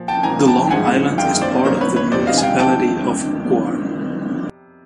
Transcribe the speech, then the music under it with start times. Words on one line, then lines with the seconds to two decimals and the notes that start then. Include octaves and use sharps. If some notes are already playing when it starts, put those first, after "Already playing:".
The long island is part of the municipality of Guiuan.
Already playing: A#2 F3
0.08 G5 A5
0.23 A#2 F3 A#3 G#5 A#5
0.48 G5 A5
0.70 A1 G#2 F3 G#3 F#5 G#5
1.18 F#2 D#3 G#3 F5 G5
1.41 C5 D5
1.65 B2 F#3 A#3 C#4 A#4 C5
1.81 B4 C#5
1.96 B4 C#5
2.12 F2 C3 D#3 G3 C5 D5
2.27 D#5 F5
2.38 G#5
2.43 F5 G5
2.59 G5 A5